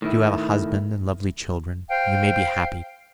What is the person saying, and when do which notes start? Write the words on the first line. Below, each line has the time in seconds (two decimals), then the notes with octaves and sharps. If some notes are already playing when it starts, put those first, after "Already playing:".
But you have a husband and lovely children; you may be happy.
0.02 A2 D#3 E4
1.89 C5 F5 G5